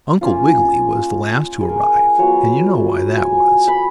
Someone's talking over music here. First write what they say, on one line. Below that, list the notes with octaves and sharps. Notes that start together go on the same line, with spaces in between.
Uncle Wiggily was the last to arrive, and you know why that was.
A#3 C#4 F4
G#4
A#4
F#3 B3 F4 C#5
G#5
B5